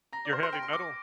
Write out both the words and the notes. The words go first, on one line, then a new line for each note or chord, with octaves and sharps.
Your heavy metal?
A#5 A#6
D5
C5 F6
C5
G5 D7
C6
D6 A#6